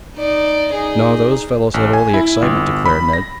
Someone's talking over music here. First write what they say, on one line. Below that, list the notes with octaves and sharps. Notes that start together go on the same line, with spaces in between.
"No, those fellows had all the excitement," declared Ned.
D#4 D5
D#4 G#4
A1
G#5
E4
G1
B5
A#6